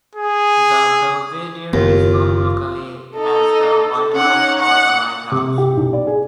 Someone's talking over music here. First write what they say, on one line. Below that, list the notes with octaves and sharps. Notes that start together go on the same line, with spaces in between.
The Belvedere is known locally as the "White House" or the "Light House".
G#4
F#1 D#2 B3 F4
D#4 A4
C#4 D#4 F#5
F#5
C3
G4
B1
D5
G#4